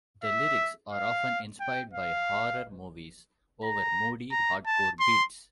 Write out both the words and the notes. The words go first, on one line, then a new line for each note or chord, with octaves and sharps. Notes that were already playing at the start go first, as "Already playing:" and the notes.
The lyrics are often inspired by horror movies over moody, hardcore beats.
E5
F5
G5
F5
A#5
A#5
A5
C6